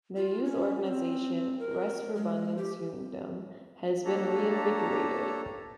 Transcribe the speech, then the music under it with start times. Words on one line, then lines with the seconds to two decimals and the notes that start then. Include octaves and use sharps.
Their youth organization Retsforbundets Ungdom has been reinvigorated.
0.16 F4
0.45 C#4
0.85 C4
1.59 A#4
2.15 G#3
2.58 G4
4.05 A#3 D4 G4 A4 C#5 A#5